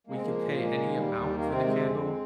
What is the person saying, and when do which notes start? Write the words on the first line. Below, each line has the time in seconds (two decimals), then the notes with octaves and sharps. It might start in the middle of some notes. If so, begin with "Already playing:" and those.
we could pay any amount for the candle,
0.07 G#3 A#3
0.14 C4
0.21 F3 A#3
0.41 A#2
0.59 G#3
0.77 D#2
0.95 G3
1.12 D#2
1.30 D#3
1.36 A#3
1.47 C3 C4
1.65 G#3
1.82 F2
1.99 G#3